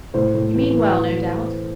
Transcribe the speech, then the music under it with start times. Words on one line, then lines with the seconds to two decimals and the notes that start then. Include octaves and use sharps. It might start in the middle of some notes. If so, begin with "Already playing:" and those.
'You mean well, no doubt.
0.14 A2 C5
0.34 A2
0.53 E3
0.73 E3